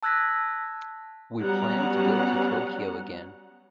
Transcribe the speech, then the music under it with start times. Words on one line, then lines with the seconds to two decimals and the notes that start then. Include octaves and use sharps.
We plan to go to Tokyo again.
0.03 A5 E6 F#6 G#6 A#6 B6
1.39 F#3 G3 B3 C#4 F#5 A#5